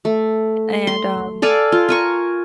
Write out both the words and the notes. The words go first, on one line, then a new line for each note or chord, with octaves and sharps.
and, um,
A3
C6
A4 D5 F5 G#5
F4
A#4 G#5 C#6